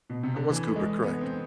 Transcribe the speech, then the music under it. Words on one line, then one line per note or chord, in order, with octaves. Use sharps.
That was Kubrick, correct.
B2
C3
D3
E3
A3
G#3
B3
C4